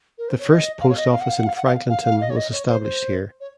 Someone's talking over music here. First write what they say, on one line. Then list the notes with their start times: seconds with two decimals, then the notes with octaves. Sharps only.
The first post office in Franklinton was established here.
0.18 A#4
0.29 C5
0.39 C#5
0.50 D#5
0.81 F5
0.89 C#5
0.97 D#5
1.12 F5
1.21 F#5
1.29 F5
1.38 F#5
1.47 F5
1.56 F#5
1.65 F5
1.89 F5
2.05 F5
2.21 D#5
2.30 C#5
2.37 D#5
2.52 C#5
2.67 C5
2.83 C5
3.40 C#5